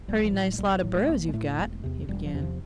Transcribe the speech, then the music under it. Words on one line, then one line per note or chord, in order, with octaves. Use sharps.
"Purty nice lot of burros you've got," he began.
B1 G3
F3
A2
F#3
G#3
B1 G3
G3
A2 F#3
G#3
B1 A#3
G#3
A2 A3
E1
E2 C3
E1 G3
F3
E2 C3
F3